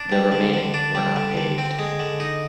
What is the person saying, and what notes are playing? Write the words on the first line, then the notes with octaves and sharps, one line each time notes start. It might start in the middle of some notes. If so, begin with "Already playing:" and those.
The remaining were not paved.
Already playing: D4
G3
D3
D3
D4
G3
D3
D3
C4
G#3
D3
D#4